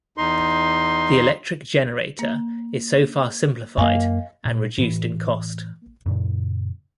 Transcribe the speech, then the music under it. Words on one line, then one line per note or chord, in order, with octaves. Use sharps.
The electric generator is so far simplified, and reduced in cost.
E2 D#4 C6
A#3
F#2 A#3 D#5 F5 G#5
A#2
A2 E3
F#2 A#2 C#3